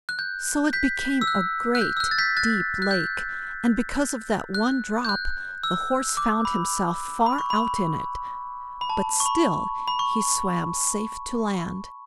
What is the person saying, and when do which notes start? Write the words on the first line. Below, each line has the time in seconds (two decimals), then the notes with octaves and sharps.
So it became a great deep lake; and because of that one drop, the horse found himself far out in it, but still he swam safe to land.
0.09 F#6
0.19 G6
0.73 G6 B6
1.21 E6
1.27 F#6
1.75 F#6
1.81 G6
1.97 E6
2.00 F#6
2.11 A6
2.18 G6 B6
2.37 F#6 A6
2.82 F#6
2.91 G6
4.54 F#6
5.05 G6
5.09 F#6
5.63 E6
6.17 D6
6.45 B5
7.26 B5
7.38 C#6
7.50 B5
8.81 B5
8.90 A5
9.20 C#6
9.26 B5
9.88 B5
9.99 C#6